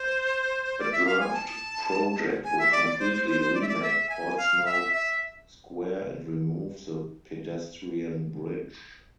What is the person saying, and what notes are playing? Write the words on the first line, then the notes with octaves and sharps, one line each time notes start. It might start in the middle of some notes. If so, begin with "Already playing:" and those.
A draft project would completely remake Portsmouth Square and remove the pedestrian bridge.
Already playing: C5
D5
E5
F5
G#5
A5
G#5
E5
D5
D5
C5
C5
C5
C5
D5
E5
D5
E5
G#5
F5
E5
E5